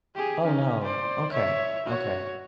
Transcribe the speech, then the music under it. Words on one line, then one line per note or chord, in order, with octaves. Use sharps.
Oh, no. Okay, okay.
G4 G#4
C#4 D#4
C5 D5
C#5 E5
F#4 C#5